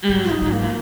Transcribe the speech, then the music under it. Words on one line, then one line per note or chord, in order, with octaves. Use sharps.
Mm, mhm.
G#2
F4
D#4
G#2
A#3